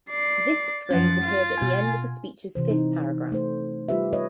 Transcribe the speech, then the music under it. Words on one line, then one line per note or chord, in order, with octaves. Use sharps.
This phrase appeared at the end of the speech's fifth paragraph.
D5 C7
F#2 F3 C#4 F#5 A6
F4
B2 G#5
C3 E3 C5
D#4
A3 C5
G3 F4 G4 B4 E5
B4 C#5 D#5